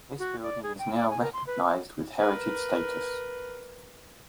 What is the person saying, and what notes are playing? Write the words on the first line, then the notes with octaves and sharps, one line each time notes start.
This building is now recognized with heritage status.
F#4
D5
G#4
G5
D5
G#5
A#4
C6
B4
A#4 B4